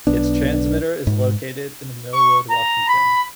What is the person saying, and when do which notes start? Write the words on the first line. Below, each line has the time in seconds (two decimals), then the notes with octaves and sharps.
Its transmitter is located in Millwood, Washington.
0.07 B1 B3 D4
1.07 G#2
2.13 C#6
2.50 A#5
2.89 B5